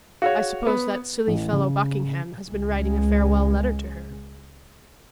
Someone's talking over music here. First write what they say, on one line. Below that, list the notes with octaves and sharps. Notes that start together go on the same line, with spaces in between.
"I suppose that silly fellow Buckingham has been writing a farewell letter to her."
F#4 G#4 C#5 F5
B3
A1
C#3
C#2 G#3